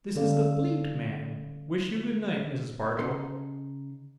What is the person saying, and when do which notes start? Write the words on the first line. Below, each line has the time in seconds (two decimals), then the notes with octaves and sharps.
This is the Fleet, ma'am. Wish you good-night, Mrs. Bardell.
0.15 D3 G3 C#4 A4 D5 F5
2.99 C#3 D#4 A4 C6